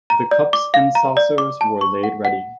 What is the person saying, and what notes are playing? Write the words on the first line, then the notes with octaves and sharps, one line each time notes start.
The cups and saucers were laid ready.
A#5
D5
D6
F5
A#5
D5
D6
A5
C#6
F#5
F#5